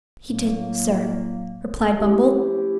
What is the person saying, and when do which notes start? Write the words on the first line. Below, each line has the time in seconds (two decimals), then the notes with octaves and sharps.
'He did, sir,' replied Bumble.
0.24 A2 F#3 A#3
1.95 F3 A3 C#4 E4 G4